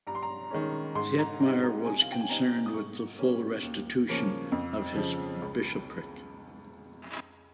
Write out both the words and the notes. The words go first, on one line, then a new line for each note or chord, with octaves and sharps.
Thietmar was concerned with the full restitution of his bishopric.
G2 A#5
C6
A#5
D#3 G#3 C#4
G#2 C6
A#5
G3 C4 D#4 A#5
A#5
C3 G#5
F5
G5
G#5
G3 C4 D#4 A#5
D#6
G#2 C#6
G3 A#3 C#4
D#2
C#3 F3 A#3 C#4
F2
C#3 F3
C#2